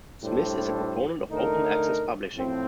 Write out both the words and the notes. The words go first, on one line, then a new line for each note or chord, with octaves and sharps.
Smith is a proponent of open access publishing.
A2 G3 D4 A4 C5
D3 A3 D#4 A#4
A2 F3 C4